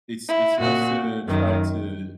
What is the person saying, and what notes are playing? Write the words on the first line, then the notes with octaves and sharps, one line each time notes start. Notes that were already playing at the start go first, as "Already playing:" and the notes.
It's it's nice to try to
E4
A#2 F#4
F#2 D#3